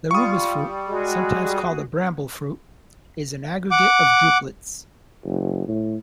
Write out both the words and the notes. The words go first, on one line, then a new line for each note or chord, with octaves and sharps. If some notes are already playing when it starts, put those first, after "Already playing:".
The "Rubus" fruit, sometimes called a bramble fruit, is an aggregate of drupelets.
G3 F4 C#6 D#6
G#3 F#4 G#4
F#5 D6
F#1
A2